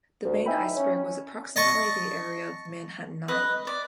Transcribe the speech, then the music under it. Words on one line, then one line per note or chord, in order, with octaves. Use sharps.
The main iceberg was approximately the area of Manhattan Island.
D2
D#4 E4 E5 G5 G#5 B5
C#4
D#5 A5 C#6
B4 D#5
D5